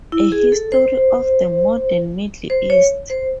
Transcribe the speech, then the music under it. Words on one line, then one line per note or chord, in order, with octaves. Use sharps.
A History of the Modern Middle East.
E4
G#4
A4
C5
C5
C#5
C5